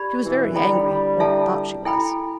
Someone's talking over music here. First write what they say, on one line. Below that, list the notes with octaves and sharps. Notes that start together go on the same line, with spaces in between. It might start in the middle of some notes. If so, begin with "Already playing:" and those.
She was very angry, or thought she was.
Already playing: G4 D5 B5
B2 E3
D3 G3 E4 A4 G5 B5
E4 A4 E5 A5
E4 A4 G5 B5